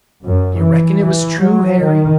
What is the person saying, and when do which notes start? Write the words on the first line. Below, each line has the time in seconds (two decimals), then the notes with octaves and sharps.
Do you reckon it was true, Harry?
0.23 F#2
0.59 E3
1.01 E3
1.41 F#3
1.83 D#3